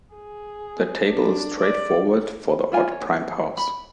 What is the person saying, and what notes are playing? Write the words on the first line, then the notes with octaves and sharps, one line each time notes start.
The table is straight forward for the odd prime powers.
G#4
D4
D5
E4 F4 G#5
C#5
B5